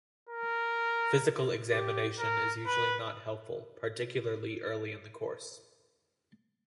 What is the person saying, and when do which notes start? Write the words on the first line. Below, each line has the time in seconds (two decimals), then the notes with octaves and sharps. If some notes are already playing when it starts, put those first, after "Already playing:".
Physical examination is usually not helpful, particularly early in the course.
0.30 A#4
1.72 G4
2.19 A#4
2.67 B4